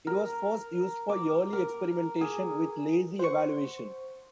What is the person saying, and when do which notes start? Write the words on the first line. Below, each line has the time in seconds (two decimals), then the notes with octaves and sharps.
It was first used for early experimentation with lazy evaluation.
0.07 A#4
1.10 D6
1.53 A#4
2.21 G#4
3.19 C5 F#5 C#6